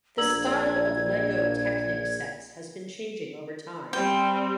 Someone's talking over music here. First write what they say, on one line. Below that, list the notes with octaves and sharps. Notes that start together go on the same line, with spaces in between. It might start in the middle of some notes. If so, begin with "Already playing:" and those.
The style of Lego Technic sets has been changing over time.
A#1 D5 A#5 E6 G#6 F#7
G3 C4 C5 G5